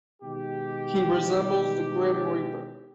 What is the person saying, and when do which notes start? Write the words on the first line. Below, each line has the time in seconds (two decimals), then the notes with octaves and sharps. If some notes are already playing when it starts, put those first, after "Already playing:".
He resembles the Grim Reaper.
0.22 B2 D#3 G#3 D#4 G4